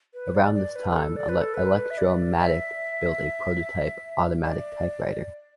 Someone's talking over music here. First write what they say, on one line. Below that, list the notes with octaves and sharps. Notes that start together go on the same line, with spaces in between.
Around this time, Electromatic built a prototype automatic typewriter.
B4
D5
D5
B4
A4
D5
B4
A4
B4
E5
D5
E5
D5